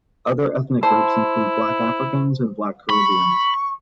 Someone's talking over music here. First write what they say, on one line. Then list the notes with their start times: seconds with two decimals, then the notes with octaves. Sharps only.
Other ethnic groups include Black Africans and Black Caribbeans.
0.83 E4 C5 A5
2.90 B5 C#6